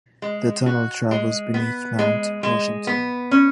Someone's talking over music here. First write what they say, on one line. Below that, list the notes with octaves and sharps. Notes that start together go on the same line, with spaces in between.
The tunnel travels beneath Mount Washington.
G#3
F#4
G#3
B3
G#3
G#3
B3
C#4